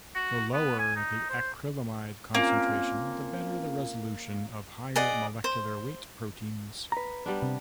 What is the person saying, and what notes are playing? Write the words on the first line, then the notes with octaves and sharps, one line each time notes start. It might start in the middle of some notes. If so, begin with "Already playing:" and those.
The lower the acrylamide concentration, the better the resolution of higher molecular weight proteins.
F#4
B3
G#5
D#4
C5
A#3 C4 C#4 F4
G#4 D5 D#5 F#5
C5
B4 A#5
G3 B3 D4
C3